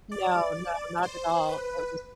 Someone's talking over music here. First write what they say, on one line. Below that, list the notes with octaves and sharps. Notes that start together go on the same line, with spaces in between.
No, no, not at all it was
D5
C5
B4